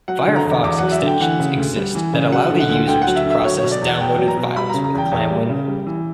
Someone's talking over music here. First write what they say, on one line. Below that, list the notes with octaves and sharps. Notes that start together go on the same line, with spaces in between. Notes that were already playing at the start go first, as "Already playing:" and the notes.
Firefox extensions exist that allow the users to process downloaded files with ClamWin.
F#3 F#5
D3
A#5
E2
E2 D6
F#3 F#5
E5
D3 G5
E3 F#5
C#3
D2
G3
E3
C#3
F#3 F#5
D3
F#5
D2
D2 G5
F#5
F#3
E5
D3 E5
F#3 C#5
C#5
B2
D5
E2
F#5
E2 G5
F#3
A#5
B2
G3 B5
C#3 A#5
A#5
E2 G5
E2
G3
C#3
G3
E3